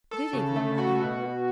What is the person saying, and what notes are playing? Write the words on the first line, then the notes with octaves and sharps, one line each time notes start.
'Good evening, Mother.'
A4
C#3
A3
F#4
B2
B2